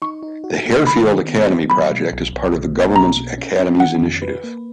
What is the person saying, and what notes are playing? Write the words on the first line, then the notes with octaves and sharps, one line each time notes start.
The Harefield Academy project is part of the Government's Academies initiative.
D#4 C#6
D#4
F#4
A#3
D#3 B5
D#3
B3
B3
F#3 B5
B2
B1
B1
B2
A#3
B2 A#5
B2
C#4
C#4
D#3 F#5
F2
B4
A#3